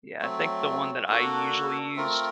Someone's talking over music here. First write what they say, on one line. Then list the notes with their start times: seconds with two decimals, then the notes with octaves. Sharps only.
Yeah. I think the one that I usually used,
0.21 F#3 A3 C4
1.09 A#3 D4 F#4 A4
1.96 A3 C4 F4 A#4